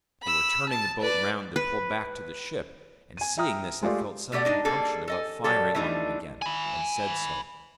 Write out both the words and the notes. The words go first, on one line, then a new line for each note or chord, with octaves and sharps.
They were turning the boat round to pull back to the ship, and seeing this I felt some compunction about firing on them again, and said so.
B5 E6
A5 A6
B4 D5
B4
G#5 D#7
E5 G5 A#5 D#6 F6
G#3 A3 F4 G4 A4 D5
B2 A3 G4 D5 F#5
G#3 D4 D#4
G3 A#3 G#4 A4
A4 D#5 G#5
F#3 G3 A4
E3 F3 G3 A3 D4 D#4
G#5 B5